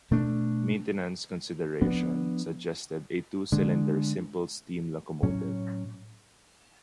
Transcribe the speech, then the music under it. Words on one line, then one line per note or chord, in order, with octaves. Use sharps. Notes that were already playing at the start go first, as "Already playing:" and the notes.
Maintenance considerations suggested a two-cylinder simple steam locomotive.
B2 A3 D4
F3 B3 D4
D3 G#3 D4
A2 F#3 C#4